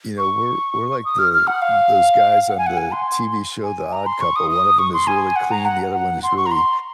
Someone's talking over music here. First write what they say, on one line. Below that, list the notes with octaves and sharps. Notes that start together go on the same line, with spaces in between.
you know, "We're we're like the those guys on the TV show, The Odd Couple; one of them is really clean, the other one is really
C#6
D#6
F6
F6
F#5
F5
F#5
G#5
F#5
G#5
C6
G#5
A#5
C6
C#6
D#6
D#6
C#6
C6
G#5
F#5
A#5
F#5
F#5
C6
C#6
A#5
C6